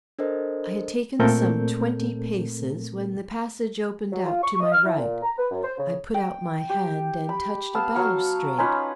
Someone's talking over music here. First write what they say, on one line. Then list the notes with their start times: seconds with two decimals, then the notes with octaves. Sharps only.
I had taken some twenty paces when the passage opened out to my right. I put out my hand and touched a balustrade.
0.19 D4 A4 A#4 C5 D#5
1.19 A#2 A3 C4 A4 A#4 G6
4.12 F#3
4.26 F4
4.43 C#6
4.61 D#5
4.72 F6
4.85 E4
4.98 A#2
5.23 A#5
5.38 B4
5.51 F#2
5.64 C5
5.78 C#3
6.14 G5
6.70 G4
7.29 B5
7.75 B3 F5 A5 E6
7.95 F#3 F5 F#5
8.58 C#4 D#4 F4 B4